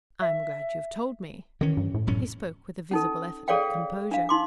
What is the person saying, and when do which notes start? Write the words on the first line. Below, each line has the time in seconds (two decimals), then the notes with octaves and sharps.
"I'm glad you've told me." He spoke with a visible effort at composure.
0.21 E5
1.61 D#3 E3 C#4
1.77 G2
1.94 A2
2.07 E1 F#2 C#4
2.91 C#4 D#4 A4
3.48 G#4 A4 C#5 D5 F5 G5
4.11 D4 F5
4.29 D#4 C6 D6